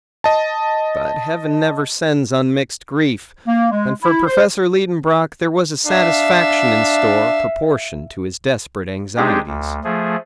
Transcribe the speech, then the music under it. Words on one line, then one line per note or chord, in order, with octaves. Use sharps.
But Heaven never sends unmixed grief, and for Professor Liedenbrock there was a satisfaction in store proportioned to his desperate anxieties.
D#5 A5
A#3
G#3
E4
C5
D4 E5 F5
G#3 C4 D4 D#4 G4 G#4
D2
F3 A3 G#4